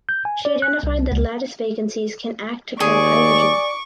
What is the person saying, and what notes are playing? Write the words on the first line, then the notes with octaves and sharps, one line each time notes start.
She identified that lattice vacancies can act to trap hydrogen.
G6
G#5
D5
F#6
C2
C#2
D#2 G#4 D5 C#6 D6